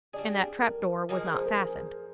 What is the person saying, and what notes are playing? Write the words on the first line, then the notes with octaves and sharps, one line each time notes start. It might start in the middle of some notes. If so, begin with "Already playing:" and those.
And that trap-door was not fastened.
G3 D4 G#4 D5
A#4
F3 A#3 D#4 G#4
C5
A#4
G#4